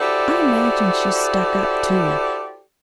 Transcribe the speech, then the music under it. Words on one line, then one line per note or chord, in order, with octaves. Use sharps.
I imagine she's stuck up, too.
E4 F#4 G4 A4 C5 D5